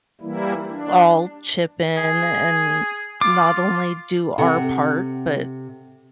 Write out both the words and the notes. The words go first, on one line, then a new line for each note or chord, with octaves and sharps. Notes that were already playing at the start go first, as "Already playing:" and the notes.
all chip in and not only do our part, but
E3 G3 A#3 E4
D4
G#4
F4 D6
C3 A4 F#5